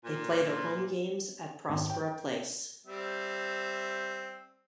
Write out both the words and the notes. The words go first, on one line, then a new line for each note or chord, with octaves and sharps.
They play their home games at Prospera Place.
A#2
G#1
G5
G3 C4 E5